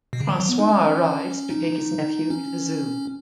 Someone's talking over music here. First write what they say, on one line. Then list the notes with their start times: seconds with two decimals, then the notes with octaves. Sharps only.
Francois arrives to take his nephew to the zoo.
0.13 B2
0.21 C#3
0.29 D#3
0.40 F#3
0.49 B3
0.59 D#4
0.69 C#4
1.50 D#4
2.30 C#4